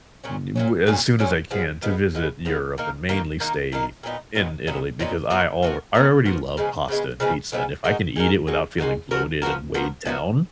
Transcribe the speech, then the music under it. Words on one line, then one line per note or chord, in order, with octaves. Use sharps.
d we're as soon as I can, to visit Europe and mainly stay in Italy because I alr I already love pasta and pizza, and, if I can eat it without feeling bloated and weighed down,
A#2 F#3 C#4
A#2 F#3 C#4
A#2 F#3 C#4
A#2 F#3 C#4
F3 G#3 B3
F3 G#3 B3
F3 G#3 B3
F3 G#3 B3
D#3 A#3 D#4 A#4
D#3 A#3 D#4 A#4
D#3 A#3 D#4 A#4
D#3 A#3 D#4 A#4
A#2 F#3 B3 D#4
A#2 F#3 B3 D#4
A#2 F#3 B3 D#4
A#2 F#3 B3 D#4
F3 B3 F#4 A#4
F3 B3 F#4 A#4
F3 B3 F#4 A#4
F3 B3 F#4 A#4
C#3 F3 G#3 B3
C#3 F3 G#3 B3
C#3 F3 G#3 B3
C#3 F3 G#3 B3
G#3 D#4 F#4 A#4
G#3 D#4 F#4 A#4
G#3 D#4 F#4 A#4
G#3 D#4 F#4 A#4
F3 B3 F#4 A#4
F3 B3 F#4 A#4
F3 B3 F#4 A#4
F3 B3 F#4 A#4